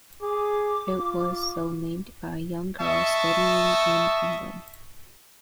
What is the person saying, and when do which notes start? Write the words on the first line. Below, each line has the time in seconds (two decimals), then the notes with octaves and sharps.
It was so named by a young girl studying in England.
0.21 G#4 D6
0.98 F4
2.81 D#5 E5 A5 C#6